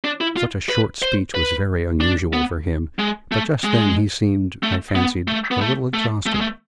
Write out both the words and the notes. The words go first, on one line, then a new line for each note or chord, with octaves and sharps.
Such a short speech was very unusual, for him: but just then he seemed, I fancied, a little exhausted.
D4
E4
F4
B4
C5
B4
D4
B3
G#3
A3
G#3
A3
B3
A3
B3
A3
A3
A3
G#3
A3